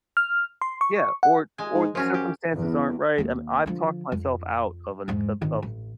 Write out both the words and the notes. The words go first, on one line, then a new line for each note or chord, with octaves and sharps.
Yeah, or or the circumstances aren't right, and I've talked myself out of an o of
F6
C6
C#6
F#5
G#3 G#5
G#2
F#2 F3 C#4 F#4
G4
E2
D#2 A#3
D3 F3
F2
E2 G#2
G#1 D#3
A1